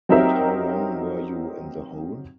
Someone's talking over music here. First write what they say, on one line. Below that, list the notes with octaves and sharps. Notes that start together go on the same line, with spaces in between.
And how long were you in the hole?
F#3 C4 D#4 G4 A#4 E5